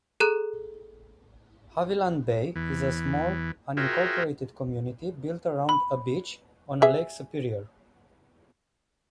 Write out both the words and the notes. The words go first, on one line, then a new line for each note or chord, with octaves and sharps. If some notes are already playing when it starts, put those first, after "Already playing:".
Havilland Bay is a small unincorporated community built around a beach on Lake Superior.
G#4 A4 A#5 F#6
E2 E3
F4 F#4 G#4 A#4 E5 G5
B5
G#4 E5